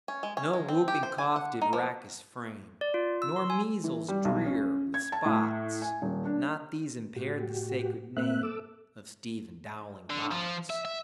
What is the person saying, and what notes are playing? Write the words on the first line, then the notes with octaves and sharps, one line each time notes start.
No whooping-cough did rack his frame, Nor measles drear with spots; Not these impaired the sacred name Of Stephen Dowling Bots.
C#4
G#3
C#4
G#3
C4
G4
C5
G#5
F#5
D#4
F3
D5
F4
E6
C6
G#5
E3
G3
B1
C#4
G#6
A5
A2
G#5
D#1
D4
A2 F#4 G4
A#2 A#3 C4 E5 F#6
A4 D6 E6
D3
F3
E5
E5